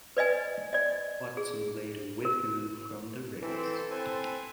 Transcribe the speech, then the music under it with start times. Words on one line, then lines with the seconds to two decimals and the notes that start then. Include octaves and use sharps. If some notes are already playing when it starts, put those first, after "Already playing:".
Watson later withdrew from the race.
0.17 B4 D5 D#5 G#5
0.73 D5 D#5
1.37 G#4
2.25 A#4
3.42 E3 C4 A4
3.91 C4 B4 C5 G#5